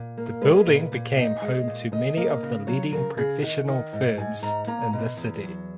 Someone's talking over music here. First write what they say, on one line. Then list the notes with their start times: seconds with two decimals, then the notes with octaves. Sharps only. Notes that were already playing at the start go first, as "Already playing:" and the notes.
The building became home to many of the leading professional firms in the city.
Already playing: A#2
0.18 A#3
0.41 G#3 B4
0.67 A#2
0.92 A#2
1.17 D#4 D#5
1.42 G#3
1.68 A#2
1.92 C#3 D#5
2.17 A#3
2.43 C#3
2.67 F#3 C#5
2.92 C#3 A#4
3.17 C#3 G#4
3.42 D#3 F#5
3.68 D#3
3.93 G#2
4.17 G#2 G#5
4.42 G#2 A#5
4.67 A#3 A#5
4.93 B2
5.17 E2
5.43 F#3